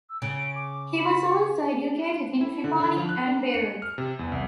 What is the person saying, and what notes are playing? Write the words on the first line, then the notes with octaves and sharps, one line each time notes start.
He was also educated in Tripoli and Beirut.
E6
C#3 D7
D6
B5
C#6
E4
D3
D3
F3
F#6
D4
C#7
F6
C3
E2
C2